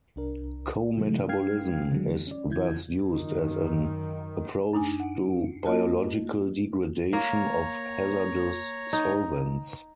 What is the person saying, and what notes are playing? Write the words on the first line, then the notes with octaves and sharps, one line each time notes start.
Co-metabolism is thus used as an approach to biological degradation of hazardous solvents.
C2 D4 A#4
C3 E3 F#3 G#3 A3
G3 F5 G5 F6 G#6 C7
D3 F#3 G#3
C#4 D5
E3 E4 G6 G#6
F#2 D#3
F#2 D4 D#4 G#5
F#5
A#3 F4 F#4 D#5 A5
A#3 C#5 A#5
D#4